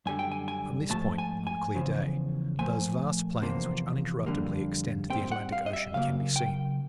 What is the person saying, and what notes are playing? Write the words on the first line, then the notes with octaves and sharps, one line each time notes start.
From this point, on a clear day, those vast plains which uninterruptedly extend to the Atlantic Ocean can be seen.
F#2 D3 G3 G#5
G5
G#5
G#5
G#2 F3 A3 A5
G#5
G#5
E2 C#3 F3
A#2 F3 A3 G#5
E2 C3 F3 A#3
F2 D3 G3 A#3
A#2 G3 C4 G5
F#5
F5
D#5
E5
C#3 F#3 A#3 F5
G5